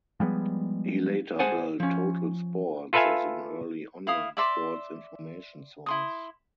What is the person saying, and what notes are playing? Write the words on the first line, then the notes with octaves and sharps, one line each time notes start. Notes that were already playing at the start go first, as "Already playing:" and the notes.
He later built Total Sports as an early online sports information source.
F3 G3 G#3 B3
G#4 C5 F#5 G#5 A5
F3 C#4
F4 A4 B4 E5 F5 G#5
E4 F5 D#6
D5 E5 C6 D6
E4 C6 D#6